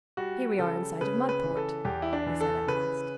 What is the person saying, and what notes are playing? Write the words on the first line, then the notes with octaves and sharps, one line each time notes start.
"Here we are in sight of Mudport," he said at last.
G3 F#4
C#3 A4
C#3 B4
B4
E3
A4
E2 G4
E4
D4
E3
A4
C#3 B4